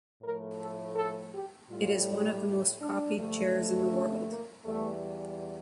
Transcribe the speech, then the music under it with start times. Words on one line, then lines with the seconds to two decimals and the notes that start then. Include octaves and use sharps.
It is one of the most copied chairs in the world.
0.22 A2 F3 A3 A#4
0.60 A4
0.96 A4
1.34 G4
1.70 A2 G3 F4
2.81 D4
3.17 G2 D3 F3 A3
3.92 C#4
4.29 A#3
4.65 E2 E3 G3 A3